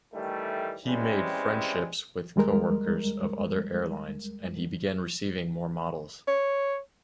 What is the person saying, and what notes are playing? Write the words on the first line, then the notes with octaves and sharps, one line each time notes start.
He made friendships with co-workers of other airlines, and he began receiving more models.
D#3 E3 G3 A3
E3 G3 G#3 C4 C#4
D#2 G3 G#3 A#4
C#5